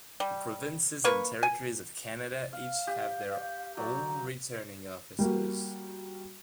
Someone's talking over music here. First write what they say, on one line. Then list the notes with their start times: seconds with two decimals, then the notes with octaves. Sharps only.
The provinces and territories of Canada each have their own returning officers.
0.20 G3
1.04 A#3 B4 C#6
1.43 G#5
2.53 F5
2.87 G4 F5
3.77 F#3 D5 A#5
5.19 G3 A#3 F#4